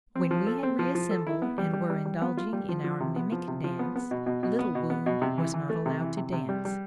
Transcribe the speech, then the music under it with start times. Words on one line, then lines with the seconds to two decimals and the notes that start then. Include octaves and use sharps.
When we had reassembled and were indulging in our mimic dance, Little Wound was not allowed to dance.
0.15 C4
0.31 F3
0.47 A4
0.63 C4
0.79 F3
0.95 F3
1.11 A4
1.27 E4
1.42 B3
1.58 G3
1.73 G3
1.90 G3
2.06 G3
2.22 B3
2.37 F4
2.53 G3
2.69 F3
2.84 F3
3.00 C3
3.16 B3
3.32 F3
3.48 C3
3.64 F3
3.79 B3
3.96 B3
4.11 B2
4.26 B2
4.43 B2
4.59 B3
4.75 B2
4.90 B3
5.06 B2
5.22 C3
5.38 E3
5.54 E3
5.70 A3
5.86 C3
6.01 E3
6.17 C3
6.33 C3
6.49 G3
6.65 G3